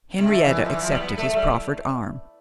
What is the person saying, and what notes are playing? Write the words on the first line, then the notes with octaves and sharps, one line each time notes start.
Henrietta accepted his proffered arm.
C3
D3
E3
F3
E3
F3
G3
B3
A3
A3
G3